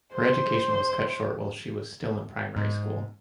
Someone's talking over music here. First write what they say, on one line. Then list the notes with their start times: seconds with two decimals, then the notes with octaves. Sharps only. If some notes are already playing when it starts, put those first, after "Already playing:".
Her education was cut short while she was still in primary school.
0.14 C5
2.56 G#2